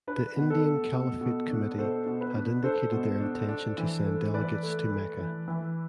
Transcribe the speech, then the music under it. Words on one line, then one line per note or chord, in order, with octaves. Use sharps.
The Indian Caliphate Committee had indicated their intention to send delegates to Mecca.
D4 B4
B2
A4
A3
B2
B2
D4
B2 A4 C5
B2
B4
D4
D4 A4 C5
B2
D4
D4
E3
A3
E3 B4 D5
A3
A3
E3
E3